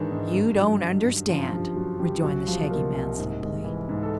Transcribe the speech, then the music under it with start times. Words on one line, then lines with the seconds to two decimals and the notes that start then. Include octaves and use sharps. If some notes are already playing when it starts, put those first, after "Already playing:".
"You don't understand," rejoined the Shaggy Man, sleepily.
Already playing: G#2 D#3 E3 G#3 D4 D#4
0.12 G#2
0.34 G2
0.58 F#3
0.82 D3
1.06 G2
1.28 F#2 F3 F4
1.53 F3 G3 F4
1.76 D3 F#3 F#4
1.99 F#2 G3 G4
2.23 C2 F#3 F#4
2.47 F3 G3 F4
2.70 B2 A#3 A#4
2.94 C2
3.18 G#2
3.41 G#3
3.64 E3
3.89 G#2
4.03 A4